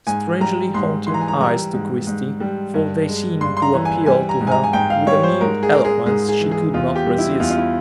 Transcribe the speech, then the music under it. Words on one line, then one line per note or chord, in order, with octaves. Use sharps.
Strangely haunting eyes to Christie, for they seemed to appeal to her with a mute eloquence she could not resist.
G#2 G#5
G3 A#5
G#2 C6
E3 C6
A#5
G#5
A#5
G3 A#5
G#2
G#2
G3
G2
G#3
G2 C6
C6
A#5
E3
G#5
G3 G#5
A#5
G#2
G#5
A#5
G#5
G#2 G5
F5
G3 C#5
C5
G#2 A#4
G#4
G#3 A#4
G#4
G#2 G#4
G#4
E3
G#4
E2 F4
G4
G3
E4
E2 F4
F4
E4